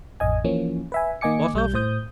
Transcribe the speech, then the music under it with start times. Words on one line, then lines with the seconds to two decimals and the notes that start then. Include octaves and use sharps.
"What of him?"
0.20 A1 F2 D#5 G#5
0.44 E3 F3 A#3 C#4
0.92 B4 E5 G#5
1.21 D#3 A#3 D#5 G#5 D6 C#7
1.54 B1 G3 G6
1.74 A2 C5 D#6 G6